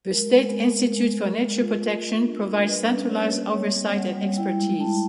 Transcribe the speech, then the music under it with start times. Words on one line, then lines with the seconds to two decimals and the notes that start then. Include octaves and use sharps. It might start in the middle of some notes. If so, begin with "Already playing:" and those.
The State Institute for Nature Protection provides centralized oversight and expertise.
0.11 G#3 A#4
0.32 G#3
0.54 C4 A#4
0.75 G#3
0.96 G#3
1.18 G#3
1.39 G#3
1.60 F4
1.82 A3
2.04 A3
2.24 D4
2.45 D4
2.67 G3 B4
2.88 C#4
3.09 A#3 C#5
3.31 A#3
3.52 G3 C#5
3.73 C4
3.95 G3 F#5
4.17 G3
4.37 E4 G5
4.59 G#3
4.80 E4 A5